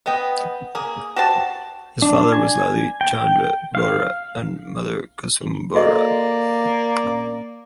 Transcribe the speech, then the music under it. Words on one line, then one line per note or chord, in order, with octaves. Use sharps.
His father was Lalit Chandra Bora and mother Kusum Bora.
B3 D#5 G5
A#3 G#4
F#4 G4 C5 A5
D4
G#5
G5
F5
A#3 F#4 A4 D5 D#5